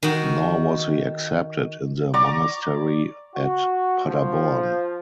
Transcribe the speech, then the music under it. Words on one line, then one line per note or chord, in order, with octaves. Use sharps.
Nor was he accepted in the monastery at Paderborn.
D#3 F#4
D5 A#5 C#6 D6
F#4
F3